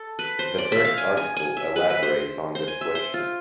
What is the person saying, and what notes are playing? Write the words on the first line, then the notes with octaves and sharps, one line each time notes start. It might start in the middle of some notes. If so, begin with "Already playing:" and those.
The first article elaborates on this question.
Already playing: A4
B4
C5
D5
E5
F5
G#5
G#5
G#5
E5
B4
B4
C5
C5
G#5
E5
C5
F4